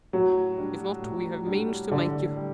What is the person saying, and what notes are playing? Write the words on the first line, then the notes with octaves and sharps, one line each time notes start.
If not, we have means to make you.
A2 F#3
G3 D4
A2
G3 D4
A2 D3
G3